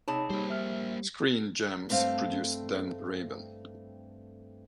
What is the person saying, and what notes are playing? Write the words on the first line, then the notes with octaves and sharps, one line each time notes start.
Screen Gems produced "Dan Raven".
C3 D#4 G#4 C#5 A5 B5
G3 A#3 C5
E5 F6
G2 A3 C4 F5